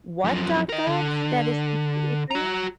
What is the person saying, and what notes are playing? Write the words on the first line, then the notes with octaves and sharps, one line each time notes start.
what dot gov that is completely free?
F#2 F3
A#4 D#5
D3
F#4 A#5